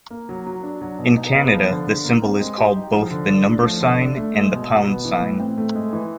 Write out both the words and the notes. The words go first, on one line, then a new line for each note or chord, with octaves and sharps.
In Canada the symbol is called both the "number sign" and the "pound sign".
A#3
F#3
F#3
D4
F#3
B2
D#4
B3
F3
D3
D3
A#3
C4
G#3
G4
D#4
F3
D3
D4
A3
F3
D3
D4
A3
G#3
B2
B2
B3
E3
A2
C4
A3
G#3
E3